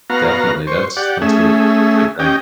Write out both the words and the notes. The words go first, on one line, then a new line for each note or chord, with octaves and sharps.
Definitely, that's that's a that's a big thing.
B3 F#4 F5 A#5
C5 C#6
G4 D5 F#5
A3 C#4 G#4 E5
C#4 G4 D#5 G5